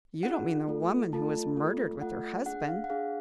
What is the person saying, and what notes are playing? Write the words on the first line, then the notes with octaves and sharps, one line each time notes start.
"You don't mean the woman who was murdered with her husband?"
D4 F4 G#4 F#5
A3 F4 A4
A3 F4 A4 A5
A3 F4 A4
A3 F4 A4 F#5
D4 G#4 F#5
F5
F#5
D4 G#4 F5